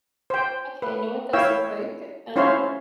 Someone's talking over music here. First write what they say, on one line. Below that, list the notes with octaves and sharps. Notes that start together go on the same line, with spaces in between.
Okay, I know what those look like and, um
C5 G5
B4
E4 C#5 F5 G5 E6
C#4 E4 C5 C#5 F5 C6